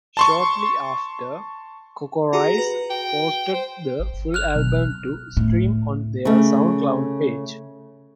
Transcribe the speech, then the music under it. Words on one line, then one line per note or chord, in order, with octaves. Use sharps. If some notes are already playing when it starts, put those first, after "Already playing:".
Shortly after, CocoRosie posted the full album to stream on their SoundCloud page.
A5 C6 C#6
F4 F#4 G#4 A#5
F#4 B4
G5
C5
G#1
G1
F6 F#6 F7
B1
A2
C#3 A3